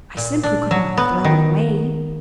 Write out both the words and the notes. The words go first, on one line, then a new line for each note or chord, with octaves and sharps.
I simply could not throw it away.
A#2
D4
F#3
B3
D#3